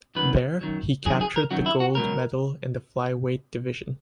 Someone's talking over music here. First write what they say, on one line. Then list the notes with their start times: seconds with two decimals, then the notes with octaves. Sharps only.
There he captured the gold medal in the flyweight division.
0.15 F#2 D#3 F#3 B4
0.61 F#2 D#3 F#3
1.05 F#2 D#3 F#3 G#4
1.21 G#4
1.36 A#4
1.51 F#2 D#3 F#3 F#4
1.66 E4
1.80 F#4
1.95 C#2 B2 F#3 A#4